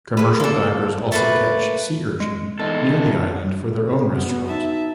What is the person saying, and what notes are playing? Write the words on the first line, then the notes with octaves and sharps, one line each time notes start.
Commercial divers also catch sea urchin near the island for their own restaurant.
G#3 B4
A#3 A4
A3 A#3 B4
G#3
E2 D#4 A4
B2 B3
D#4 E5 A5